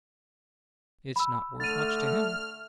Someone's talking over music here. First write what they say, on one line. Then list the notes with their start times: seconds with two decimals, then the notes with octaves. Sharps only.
It's not worth much to him.
1.16 B5 E6
1.60 D3 A3 F6 A6 D#7